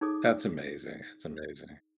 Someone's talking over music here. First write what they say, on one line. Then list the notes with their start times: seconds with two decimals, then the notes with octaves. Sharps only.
That's amazing, that's amazing.
0.01 D#4 G#4 A4 C#5 D6 D#6